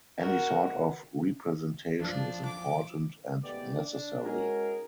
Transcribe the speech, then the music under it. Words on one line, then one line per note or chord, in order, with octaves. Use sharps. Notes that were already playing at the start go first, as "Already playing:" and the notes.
Any sort of representation is important and necessary.
F#4 A#4
F3 D4
D6
A1 G#2 A3 B3 G4 D5
D4
G#3 C#4 D#4 F#4 G#4 A#4